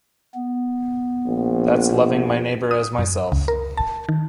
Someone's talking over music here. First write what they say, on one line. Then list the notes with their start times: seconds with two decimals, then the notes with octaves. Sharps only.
That's loving my neighbor as myself.
0.34 B3
1.26 A#1
2.71 D#6
2.99 F#2
3.32 C#2
3.48 A#4
3.77 A5
4.09 D#3